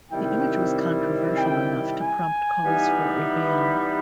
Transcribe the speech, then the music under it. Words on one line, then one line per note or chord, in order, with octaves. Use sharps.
The image was controversial enough to prompt calls for a ban.
C3 D#3 G3 C4 E4 G5
G5
G#5
E3 G3 B3 D#4
B5